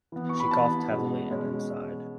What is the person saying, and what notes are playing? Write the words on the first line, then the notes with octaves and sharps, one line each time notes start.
She coughed heavily and then sighed.
E3 B3
C#6
B5
E3 B3 A5
B2 G#3 C#4
B2 G#3 C#4